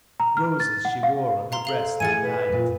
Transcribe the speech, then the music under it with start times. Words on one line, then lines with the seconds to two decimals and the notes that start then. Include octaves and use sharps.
Roses she wore on her breast that night.
0.20 A#5
0.37 F6
0.60 A6
0.85 F#5
1.03 F5
1.52 F5 A#5 C6
1.65 A4 F5 F7
2.00 A2 E4 G#4 G#5 A6 C#7 D#7
2.24 B4
2.49 F#2 A#2